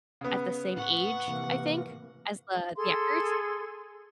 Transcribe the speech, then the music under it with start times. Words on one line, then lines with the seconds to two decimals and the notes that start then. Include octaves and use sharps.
at the same age, I think, as the the actors,
0.21 C#3 B3
0.76 A2 F#5 C#6
1.28 C3 E3 A#3
2.76 G#4 A4 C6